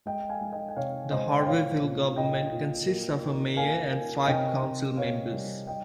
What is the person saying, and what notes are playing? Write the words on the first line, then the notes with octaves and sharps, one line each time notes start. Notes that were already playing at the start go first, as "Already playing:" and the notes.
The Harveyville government consists of a mayor and five council members.
G#3 D#5 G5
F5 G#5
G#3
D#5 G5
G5
C3 C#5 F5
G#3 C5 D#5
G5
A#2 C#5 F5
A#2
A#2 D#5 G5
A#2
A#3
D#3
A#3 F5 G#5
A#3
C3 D#5 G5
C3
A#3 C#5 F5
G3
G3 D#5 G5